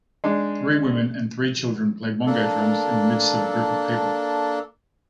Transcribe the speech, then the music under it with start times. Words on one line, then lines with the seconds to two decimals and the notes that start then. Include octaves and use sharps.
Three women and three children play bongo drums in the midst of a group of people.
0.24 G#3 D4 D#4 D5
2.27 A#3 D4 A4